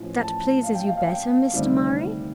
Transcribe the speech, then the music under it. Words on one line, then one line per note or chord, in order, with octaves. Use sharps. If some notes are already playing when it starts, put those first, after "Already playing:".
"That pleases you better, Mr. Murray?"
Already playing: A1 A2 F3
A5
F5
G5
F5
F5
G5
D2 C3 D#3 G3